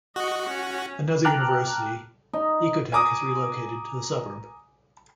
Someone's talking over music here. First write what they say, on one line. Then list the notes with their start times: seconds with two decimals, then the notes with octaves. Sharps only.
Another university, Ecotec has relocated to the suburb.
0.16 F#4 D#5 C#6
0.48 C#4
1.25 G5 A5 A#5 D6 F6 F#6
2.33 D#4
2.92 G#5 A#5 D6 D#6